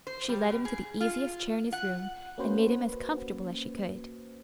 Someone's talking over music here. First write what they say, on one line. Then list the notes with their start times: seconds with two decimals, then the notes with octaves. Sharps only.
She led him to the easiest chair in his room and made him as comfortable as she could.
0.07 C5
0.29 G3
0.50 B2
0.65 G#4
1.01 F4
1.73 F#5
2.38 A#3 C#4 F#4 B4 C5